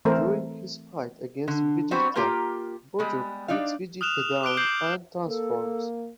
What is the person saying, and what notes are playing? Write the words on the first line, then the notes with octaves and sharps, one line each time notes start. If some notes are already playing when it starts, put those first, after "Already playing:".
During his fight against Vegeta, Bojack beats Vegeta down and transforms.
E3 A3 C4 A4 A#4 C5
D3
F#3 G3 B3 C4 F#4 C5
A#3 F4 G4 A#5
G3 G#3 B3
D4 D#4 D5 F5
D#6 F6 F#6 E7 F7
D6 F#6 D7 G7
D6 G6 C7 D7 F#7
A#3 A4